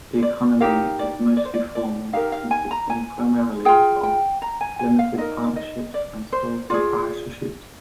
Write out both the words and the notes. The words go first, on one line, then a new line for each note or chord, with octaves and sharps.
The economy is mostly formal, consisting primarily of limited partnerships and sole proprietorships.
D5
D#4 G4 A#4 F5
D5
D5
C5
D5
D5
D#4 G4 A#4 F5
F5
G#5
A#5
G#5
F4 G#4 G5
G5
A#5
G#5
G#5
F5
D#4 A#4 D#5
D#5
D5
C5
F4 G#4 D5